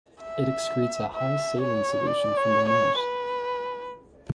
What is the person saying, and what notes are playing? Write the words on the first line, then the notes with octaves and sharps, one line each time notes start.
It excretes a high saline solution from their nose.
E5
E5
C#5
D5
C#5
C#5
B4